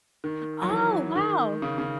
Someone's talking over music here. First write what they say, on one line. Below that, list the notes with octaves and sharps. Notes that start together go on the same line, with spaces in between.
Oh, wow.
D#3
F#3
E3
D#3
C#3
C#3